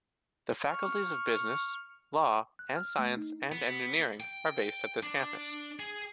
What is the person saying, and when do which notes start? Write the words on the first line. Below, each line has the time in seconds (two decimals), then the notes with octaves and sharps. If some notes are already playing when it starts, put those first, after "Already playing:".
The faculties of Business, Law, and Science and Engineering are based at this campus.
0.70 C#6 F6
2.59 F#6
2.76 F6
2.99 A3
3.17 D#4
3.52 B3
4.20 G5
5.03 D4
5.80 G#4